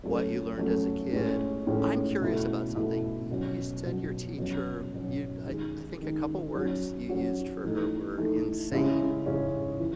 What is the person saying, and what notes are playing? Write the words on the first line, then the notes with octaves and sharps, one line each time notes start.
what you learned as a kid. I'm curious about something. Y you said your teacher you I I think a couple words you used for her were insane,
F#3 A3 C#4
F#3 A3 C#4
A2 G#3 C#4
A2 G#3 C#4
B2 A3 E4
B2 A3 E4
B2 F#3 C#4
B2 F#3 C#4
B2 F#3 C#4
B2 F#3 C#4
D#3 G#3 D#4
D#3 G#3 D#4
F#3 C#4 F#4
F#3 C#4 F#4
E3 A3 D#4
E3 A3 D#4
C#3 G#3 C#4 E4
C#3 G#3 C#4 E4
E3